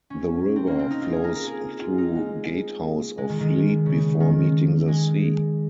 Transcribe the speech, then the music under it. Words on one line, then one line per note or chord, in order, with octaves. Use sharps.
The river flows through Gatehouse of Fleet before meeting the sea.
C#4
C4
A#3
C4
D#4
F4
G#4
A#4
A#4
G#4
F4
D#4
G#3
G#3
D#3
D#3
C#3
D#3
G#3